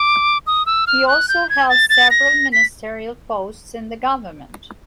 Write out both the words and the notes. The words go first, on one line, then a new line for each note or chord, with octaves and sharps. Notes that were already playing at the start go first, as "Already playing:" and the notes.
He also held several ministerial posts in the government.
Already playing: D6
D#6
E6
F6
F#6
G6
G#6
A6
A6
A#6
B6